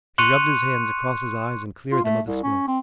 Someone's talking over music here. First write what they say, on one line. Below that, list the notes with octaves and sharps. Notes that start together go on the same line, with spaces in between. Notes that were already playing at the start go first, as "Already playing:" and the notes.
He rubbed his hands across his eyes and cleared them of the smoke.
C6 C#6 F#6 C#7 D#7 F7
F4
A3
C2
C#4
C4